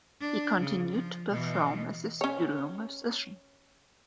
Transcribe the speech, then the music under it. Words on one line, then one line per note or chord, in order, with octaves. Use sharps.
He continued to perform as a studio musician.
D4
C#3
F3
B2 E3
C#4 C#5